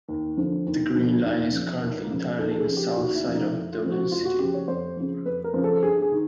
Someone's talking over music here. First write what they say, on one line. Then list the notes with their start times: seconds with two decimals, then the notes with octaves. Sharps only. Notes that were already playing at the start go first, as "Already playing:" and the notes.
The Green Line is currently entirely in the south side of Dublin city.
0.09 D#2
0.37 D3 F3
0.66 D#2
0.95 D3 F3
1.23 D#2
1.52 C#3 F3
1.81 D#2 A#4
2.10 C#3 F3
2.38 D#2 A4
2.51 A4
2.58 G#4
2.67 C#3 F3
2.77 G4
2.96 D#2 F#4
3.15 E4
3.25 C#3 F3
3.34 D#4
3.53 F2 E4
3.72 F4
3.82 C#3 F3
3.91 F#4
4.11 F2 F4
4.25 F#4
4.39 C#3 F3 G4
4.54 C#5
4.68 F2 C5
4.97 C#3 F3
5.26 F2 B4
5.44 A#4
5.54 C#3 F3
5.64 A4
5.83 G2 G#4
6.02 G#4
6.12 D#3